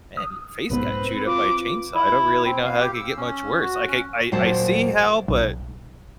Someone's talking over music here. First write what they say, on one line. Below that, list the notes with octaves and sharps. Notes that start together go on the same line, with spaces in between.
"Man, your face got chewed up by a chainsaw. I don't really know how it could get much worse." Like, I I I see how, but,
D#6
B1 G#2 C3 B3 C4 B4
F4 D6
E4
C4
F5
G4
E6
C#4
F#4
C#4
D#2 A#2 F#3 A#3 C5 A5
B1